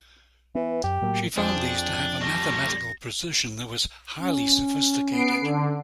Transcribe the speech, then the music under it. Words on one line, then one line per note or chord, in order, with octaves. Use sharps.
She found these to have a mathematical precision that was highly sophisticated.
E3 B3
F#2 G4
A2 F#3 A#3
F2 D4 G#4 C5 G5
G3 A3 A#6
C#4
B3 C7 D7
D3